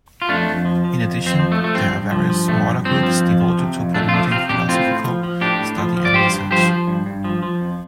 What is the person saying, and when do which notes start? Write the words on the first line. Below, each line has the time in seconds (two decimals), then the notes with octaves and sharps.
In addition there are various smaller groups devoted to promoting philosophical study and research.
0.22 F4
0.29 F2 A3 D4
0.48 F2
0.65 F3
0.85 F3
1.03 F2
1.21 F2
1.27 C4
1.39 F3
1.52 A3
1.57 F3
1.64 A3
1.75 G2 C4
1.93 G2
2.11 F3
2.30 F3
2.48 G2 A3
2.67 G2
2.85 F3 C4
3.03 F3
3.21 F2
3.41 F3
3.59 C3
3.76 F2
3.94 F2 A3 D4
4.09 F4
4.13 F3 A3 D4
4.31 C3 C4 F4
4.49 F2 D4 G4
4.68 A2 C4 F4
4.86 A2
5.04 F3
5.23 F3
5.41 A2 D4 G4
5.59 A2
5.78 F3
5.97 F3
6.05 D5
6.14 G2 G4 C5
6.33 G2
6.51 F3 G4 C5
6.69 F3
6.87 G2
7.06 G2
7.24 F3
7.43 F3
7.61 F2